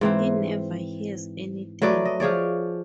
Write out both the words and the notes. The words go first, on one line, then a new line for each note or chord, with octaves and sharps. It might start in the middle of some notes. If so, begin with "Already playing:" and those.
He never hears anything.
G#2 E3 C4
F#3 A3 B4 D5
D#5
F3 G#4 C#5 D5